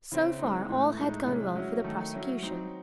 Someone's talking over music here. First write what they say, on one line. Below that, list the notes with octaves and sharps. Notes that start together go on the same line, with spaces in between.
So far, all had gone well for the prosecution.
C#3 E3 C4 E4
E3 G#3 C4 D#4
A2 E3 A3
A2 G#3 D#4
C3 E3 G#3 C#4
F#3 C#4 E4
D#3 A3 D#4
F#3 C#4 E4
F#3 C4 D#4